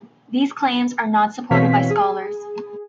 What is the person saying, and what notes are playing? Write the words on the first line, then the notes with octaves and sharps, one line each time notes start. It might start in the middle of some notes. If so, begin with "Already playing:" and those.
These claims are not supported by scholars.
B2 E3 C4 C#5 F5 B6
G#4